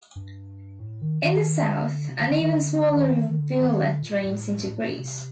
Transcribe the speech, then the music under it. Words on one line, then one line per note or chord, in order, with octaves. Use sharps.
In the south, an even smaller rivulet drains into Greece.
G2
A2
D#3
D#3
D3
C3
D3
D3
D#3
D3
D#3
D#3
D3
D#3
D3
A#2
A2
A2
A#2
A#2
C3